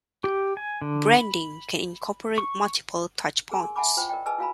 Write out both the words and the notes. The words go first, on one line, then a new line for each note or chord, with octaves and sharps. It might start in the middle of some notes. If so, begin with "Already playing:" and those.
Branding can incorporate multiple touchpoints.
G4
G#5
D3
B5
C#6
G#4 A#4 G#5 C6
E5 F#5 G#5 A5 B5 D6
E4 F4 C5 G5 B5
A#4 D5 D#5 G5
G#4 B4 D#5 G#5 A5 E6
E4 F#4 F5 G#5 A#5 B5